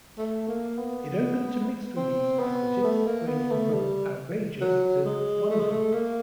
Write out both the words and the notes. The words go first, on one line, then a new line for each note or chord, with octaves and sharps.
It opened to mixed reviews by critics, ranging from "outrageous" to "wonderful".
A3
A#3
B3
C4
B3
A3
A#3
B3
A3
G3
F#3
G#3
A3
G#3
A3
A#3